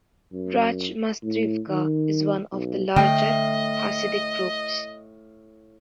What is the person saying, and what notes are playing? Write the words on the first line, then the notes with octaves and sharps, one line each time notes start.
Rachmastrivka is one of the larger Hasidic groups.
F#2
A2
D#3
B1
A2 D3 A3 D#5 F5 G5